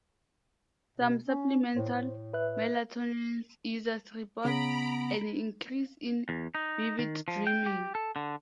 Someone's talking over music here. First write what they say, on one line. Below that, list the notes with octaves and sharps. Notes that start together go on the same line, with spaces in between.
Some supplemental melatonin users report an increase in vivid dreaming.
B2
C#4
A2 C5
A2
B4 E5 F#6
C#3 B3 A#5 B5 D7
E2
D#4
D#3
F3
G5
G4
A4
D3